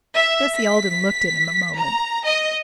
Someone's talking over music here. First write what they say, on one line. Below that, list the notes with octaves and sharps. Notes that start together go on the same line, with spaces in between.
Bessie Alden looked at him a moment.
E5
B6
A#5
D#5